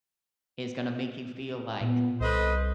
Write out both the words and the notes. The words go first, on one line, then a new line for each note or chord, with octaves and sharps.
is gonna make you feel like
A#2 B3
C2 A4 B4 C5 D#5